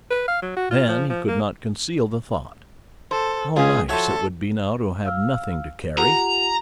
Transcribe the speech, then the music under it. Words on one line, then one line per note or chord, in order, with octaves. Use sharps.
Then he could not conceal the thought: "How nice it would be now to have nothing to carry!"
B4
F5
F#3
F#4
F4
F3
F3
A#3
A4 C5
C#2 C#4 F4 G#4
F3 F#4 A4 C#5 E5
F5 E6 F6
F4 G4 F#5 A#5